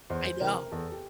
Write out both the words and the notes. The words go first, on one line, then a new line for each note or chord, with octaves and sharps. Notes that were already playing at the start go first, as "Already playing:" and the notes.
I know.
E2 C5
C3 E3 A#4
E2 A4
G4